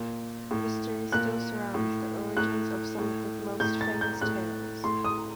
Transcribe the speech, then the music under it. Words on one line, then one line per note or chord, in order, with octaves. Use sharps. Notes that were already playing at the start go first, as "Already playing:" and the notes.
Mystery still surrounds the origins of some of the most famous tales.
Already playing: A#2
A2
A#2 F#6
A2
A2 F#6
A2
A2 G6
A6
G6
A2 F#6
A2 C6
D#6